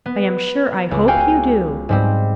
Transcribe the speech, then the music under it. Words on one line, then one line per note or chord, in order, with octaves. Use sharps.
I am sure I hope you do.
B3
C#2
F#4 F5 G5 G#5 F6
G#2 G3 C4